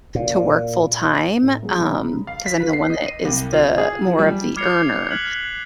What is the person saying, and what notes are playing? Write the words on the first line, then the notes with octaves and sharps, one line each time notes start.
to work full time, um, 'cause I'm the one that is the more of the earner,
A#2
A2 D#4
F#3 G#3
E1 B1 C3 A#5 B5 D#6
F5
B6
B4
C7
D#5
D#7
C2
F4
G#4
F3
G3
D6 F6 G#6 C7 C#7 F7
F6 F#6 G#6 B6 F#7